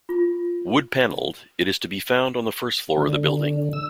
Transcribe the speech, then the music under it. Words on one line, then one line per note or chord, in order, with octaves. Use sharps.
Wood panelled, it is to be found on the first floor of the building.
F4
D3
E6